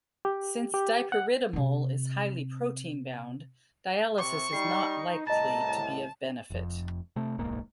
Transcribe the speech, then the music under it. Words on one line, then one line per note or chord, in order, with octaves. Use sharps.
Since dipyridamole is highly protein bound, dialysis is not likely to be of benefit.
G4
G4
F#5
C3 C4
C3 C#6 D6
G3 D#4 C7
C2 A2 D#5 A5 A#5 A6
F1 F2
C3 A3
D1 B1 G#2 A#3